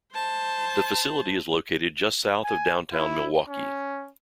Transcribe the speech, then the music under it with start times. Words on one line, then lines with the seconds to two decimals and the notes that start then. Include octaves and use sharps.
The facility is located just south of downtown Milwaukee.
0.13 C5 A5
2.44 G#5
2.93 E4
3.49 C#4